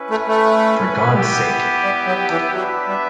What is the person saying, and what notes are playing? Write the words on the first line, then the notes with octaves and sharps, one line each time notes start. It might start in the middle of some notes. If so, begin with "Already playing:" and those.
For Gawd's sake!
Already playing: C#4 E4 B4
A3
A3
B3 E4 G4
G3
F#3
E3
F#3 B3 D4 G4 B4 E5
G3